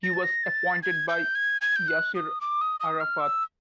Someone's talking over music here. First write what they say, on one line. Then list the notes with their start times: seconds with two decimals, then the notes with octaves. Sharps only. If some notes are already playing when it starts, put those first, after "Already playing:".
He was appointed by Yasser Arafat.
0.03 A#6
0.14 A6
0.24 A#6
0.43 A6
0.83 G#6
1.09 G6
1.35 G#6
1.61 G#6
1.76 G6
1.88 F#6
2.15 D#6
2.41 D6
2.61 D#6
2.80 D#6
3.00 F6
3.20 E6